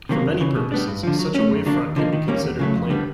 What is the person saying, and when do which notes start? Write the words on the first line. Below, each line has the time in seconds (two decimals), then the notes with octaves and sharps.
For many purposes, such a wavefront can be considered planar.
0.09 C3 D#3 F#3 A#3
0.26 F2
0.40 C#3 E3
0.56 B2
0.72 G3 B3 D4
0.88 G2
1.03 D3 F3
1.19 F#3
1.35 A3 C#4
1.50 F#2
1.66 D3 F#3 A#3 D4
1.81 D#2
1.96 D3 F3 A#3 D#4
2.12 D#3
2.28 G3 A#3 C#4
2.44 E2
2.59 C#3 F#3 A3
2.75 F2
2.90 D3 G3 B3